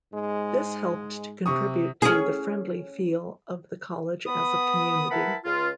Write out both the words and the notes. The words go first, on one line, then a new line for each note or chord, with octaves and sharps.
This helped to contribute to the friendly feel of the college as a community.
G#2 G#3
C3 C#6 D#6
C#4 G#4
B3 B5 D#6
E4 A#4 B4 F#5 A5 B5
C#2 F4